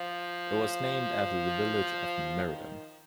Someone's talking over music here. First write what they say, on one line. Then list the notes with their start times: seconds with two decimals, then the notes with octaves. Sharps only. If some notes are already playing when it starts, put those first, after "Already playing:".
It was named after the village of Meriden.
Already playing: F3
2.45 D#3